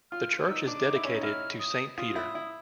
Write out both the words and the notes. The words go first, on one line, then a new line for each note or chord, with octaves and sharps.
The church is dedicated to St Peter.
F4 F6
D#4 E6
D4 D6
D#4
E4
C#4
D#4
E4 F6
D#6
F4 D#6
E4
E4